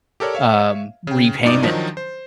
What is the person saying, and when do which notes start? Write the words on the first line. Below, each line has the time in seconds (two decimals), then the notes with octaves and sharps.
um, repayment.
0.20 G4 A4 A#4 C#5 D5
0.35 C#5 E5 F5
1.07 C#3 G5
1.44 G2 A#2 D#4 D5 D6 D#6
1.63 D#3 F3 F#3 D4 D#4
1.97 C5